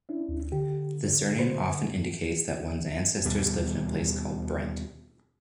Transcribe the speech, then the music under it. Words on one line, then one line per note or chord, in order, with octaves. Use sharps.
The surname often indicates that one's ancestors lived in a place called Brent.
C#4 D4 E4
D2
D3 G4
C#5
F#4 B4 C5
D#2 B2 G3